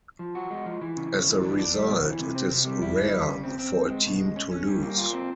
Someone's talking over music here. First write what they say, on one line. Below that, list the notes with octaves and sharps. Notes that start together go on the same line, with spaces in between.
As a result, it is rare for a team to lose.
F3
F#4
G#3
F3
E3
C#3
C#3
E3
D4
D4
G3
B2
E3
C3
C4
C3
G3
E4
G3
G3
C#3
C4
C4
C4
G#3
B2
G#3
C#4
C#4
G3
A#3
F4
C4